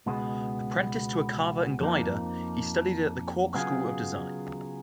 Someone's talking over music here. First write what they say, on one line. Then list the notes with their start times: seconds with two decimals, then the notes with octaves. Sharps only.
Apprenticed to a carver and gilder, he studied at the Cork School of Design.
0.06 C#2 B2 G#3 B3
1.80 F2 F3 A#3 D#4
3.54 C#3 F#3 B3 F4 G#4